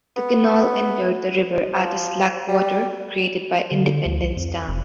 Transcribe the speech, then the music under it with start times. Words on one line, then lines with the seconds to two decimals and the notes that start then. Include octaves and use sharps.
The canal entered the river at a "slackwater" created by Independence Dam.
0.16 B3
1.75 F3
2.49 G3
3.71 D3
4.05 D2
4.23 C2
4.36 F2
4.68 F1